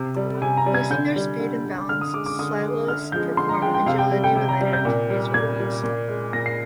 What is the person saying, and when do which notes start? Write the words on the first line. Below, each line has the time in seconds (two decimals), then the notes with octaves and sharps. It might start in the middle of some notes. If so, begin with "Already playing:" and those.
Using their speed and balance, Shilohs perform agility related activities with ease.
Already playing: C3
0.16 G3
0.42 C3 G#5
0.57 A#5
0.66 G3
0.74 G#6
0.91 D3 G6
1.16 G3
1.40 D3
1.65 G3
1.89 D3 F6
2.01 D#6
2.14 G#3 D6
2.26 D6
2.39 D3 D#6
2.63 G#3
2.88 D3 F6
3.12 F3 G#3 G6
3.37 D3 C6
3.49 A#5
3.62 F3 G#3 G5
3.74 G5
3.86 C3 F5
3.98 G5
4.11 G3
4.24 G5
4.36 C3
4.49 A#5
4.61 G3
4.73 G6
4.85 A#2
5.10 G3
5.34 A#2 G#6
5.60 G3
5.84 A#2
6.08 G#3
6.33 A#2 A#6
6.46 C7